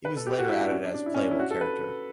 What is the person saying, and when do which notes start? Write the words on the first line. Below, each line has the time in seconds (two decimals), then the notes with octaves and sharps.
He was later added as playable character.
0.05 B4
0.16 A4
0.27 G4
0.39 F#4
0.49 E4
0.60 D4
0.71 C#4
0.84 D4
0.94 D4
1.06 E4
1.14 C#4
1.23 D4
1.31 E4
1.39 F#4
1.51 A4
1.61 B4